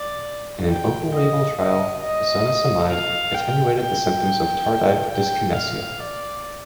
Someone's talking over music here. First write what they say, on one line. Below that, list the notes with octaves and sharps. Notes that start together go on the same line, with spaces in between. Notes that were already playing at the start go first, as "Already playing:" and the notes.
In an open-label trial zonisamide attenuated the symptoms of tardive dyskinesia.
Already playing: D5
G5
D#5
D#5
D#5
F5
G5
G5
G5
F5
D5